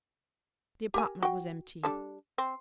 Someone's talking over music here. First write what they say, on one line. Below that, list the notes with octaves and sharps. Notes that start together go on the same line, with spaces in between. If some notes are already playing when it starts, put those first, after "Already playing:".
The apartment was empty.
G4 A#4 G#5
F#4 G5
G3 D4 A4
C4